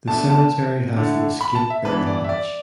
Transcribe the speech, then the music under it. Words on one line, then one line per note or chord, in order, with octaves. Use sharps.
The cemetery has an "escape burial hatch".
B2 A3 D4 A5
A5
D3 A3 E4
B5
A5
E5
E3 B3 D4 B4
D5
E5
D5